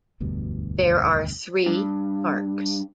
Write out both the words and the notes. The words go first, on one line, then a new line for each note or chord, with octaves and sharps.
There are three parks.
E1 D2 G2 B2
G2